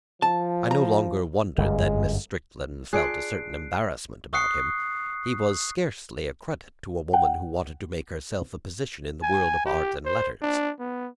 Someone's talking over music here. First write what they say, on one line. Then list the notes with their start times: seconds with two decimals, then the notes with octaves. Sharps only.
I no longer wondered that Mrs. Strickland felt a certain embarrassment about him; he was scarcely a credit to a woman who wanted to make herself a position in the world of art and letters.
0.22 F3 A5
0.71 A#5
1.58 G1 F#2 G#3
2.93 D4 F4 G#4 F#6 C7 D7
4.33 C#6 D#6 F#6 C7 C#7
7.13 F#5 G5
9.23 G#5
9.65 G4
10.05 C5
10.42 D4
10.79 B3